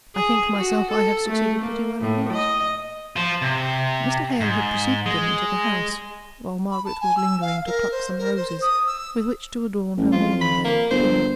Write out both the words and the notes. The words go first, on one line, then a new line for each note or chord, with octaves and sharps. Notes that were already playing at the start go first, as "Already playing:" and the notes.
I think myself I have succeeded pretty well in yours.' Mr. Hale had preceded them into the house, while Margaret was lingering to pluck some roses, with which to adorn her morning gown for dinner.
G#4
F#4
A4
A3
A#3
A2
D#5
F4 C5
C3
G#2
G#3
B5
A5
G#5
E6
F5
A#4
C5
A#4
C5
D#6
E6
A1
F2 F4
B5
A#3
G1 C5